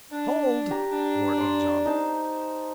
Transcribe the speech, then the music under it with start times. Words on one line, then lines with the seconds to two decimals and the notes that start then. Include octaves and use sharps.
"Hold!" roared Little John.
0.11 D4
0.71 G4 A#5
0.91 D4
1.38 D5 C6
1.86 D#4 C5 A5